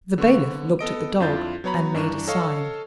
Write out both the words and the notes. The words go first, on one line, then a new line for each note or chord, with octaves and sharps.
The bailiff looked at the dog, and made a sign.
D3 B3 C#6
B3 A4 D#5 D7
F2 D4 E4 F4 G6 A6
F#3 B3 C#5 A#5 B5
G2 E3 D4 A#5 C#6 E7
A4 C#5 D#5 F5 A5 C#6